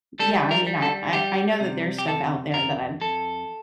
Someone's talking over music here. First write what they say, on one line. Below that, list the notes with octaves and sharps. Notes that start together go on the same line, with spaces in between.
yeah, I mean, I I I know that there's stuff out there that I've
G3 A4
A#4
G3
A4
G3 G4
C3
G4
F2 A4
F2 A#4
F2 A4